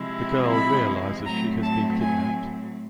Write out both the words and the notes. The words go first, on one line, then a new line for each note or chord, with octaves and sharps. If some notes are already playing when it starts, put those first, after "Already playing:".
The girl realises she has been kidnapped.
Already playing: C3 F3 G#3 C4 E4
B5
A2 F#3 A3 C4 A#5
A5
G#5